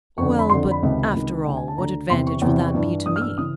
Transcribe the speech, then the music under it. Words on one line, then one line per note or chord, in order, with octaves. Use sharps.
"Well, but, after all, what advantage will that be to me?"
F2 D3 C#6
B5
F2 D3 C6
B5
C#2 C3 D#3
C#2 C3 D#3
D2 D3 G5
G#5
A5
D2 D3 A#5
E2 C3 E3 C6
C#6
E2 C3 E3
G2 E3
G2 E3 D#6
F6
E6
C#3 E3 D#6